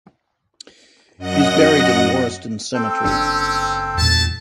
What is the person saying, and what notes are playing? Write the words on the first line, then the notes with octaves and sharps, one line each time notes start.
He is buried in Warriston Cemetery.
F#2 D#5 F#5 A#6
C4 A4 G5
F#1 C#4 D4
E2 A#2 G#3 A3 A5